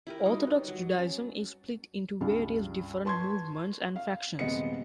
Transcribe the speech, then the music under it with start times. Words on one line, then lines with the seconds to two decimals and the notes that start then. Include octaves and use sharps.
Orthodox Judaism is split into various different movements and factions.
0.07 E4 G4 A#4
0.26 G3 D4 D#4 F#4
0.47 B4 C#5
0.68 F#3
0.95 C#4 C#5
2.21 C#2 G2 D4
3.05 B4 A5 C6 C#6 G#6
3.96 F5
4.39 D#1 C3 G#3 B3 D#5 C#7